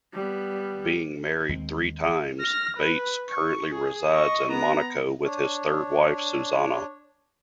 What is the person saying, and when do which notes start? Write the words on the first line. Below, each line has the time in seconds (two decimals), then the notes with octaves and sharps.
Being married three times, Bates currently resides in Monaco with his third wife, Suzannah.
0.13 G3 B3
1.49 D#2 G#3 C4
2.41 F6 A#6
2.77 B4
3.30 C#6
3.71 G#4
4.12 D#5 C#6
4.51 B3 A#5
5.23 D4 C#5